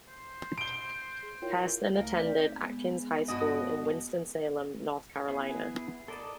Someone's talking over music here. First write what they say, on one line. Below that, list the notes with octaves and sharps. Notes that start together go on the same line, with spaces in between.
Hairston attended Atkins High School in Winston-Salem, North Carolina.
C5
D7 G7
G#4
E4 F4 A#4 C#5 G5
C#2 A3 A#4 F5
A3 C4 D#4 G4 D5
G#3 B3 G#4
G2 B2 F#4 D#5 D#6 A#6
B3 E4 G#4
A4 A#4 D5 D#5 A5